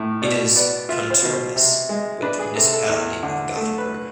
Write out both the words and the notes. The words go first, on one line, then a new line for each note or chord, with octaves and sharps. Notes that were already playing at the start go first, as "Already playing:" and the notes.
It is conterminous with the municipality of Gothenburg.
Already playing: A2
B2 D5
B3 D5
F4 E5
C5
B2
C5
C3
G#3
D4 B4
G#4
C3 A4
A4
E2
D3
A3 A4
B4